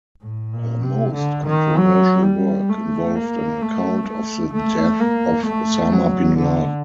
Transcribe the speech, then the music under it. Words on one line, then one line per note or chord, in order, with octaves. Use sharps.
Her most controversial work involved an account of the death of Osama bin Laden.
A2
A#2
C3
D3
D#3
F#3
G3
A3
A#3
A3
A3
A3
A#3
A3
F#3
D3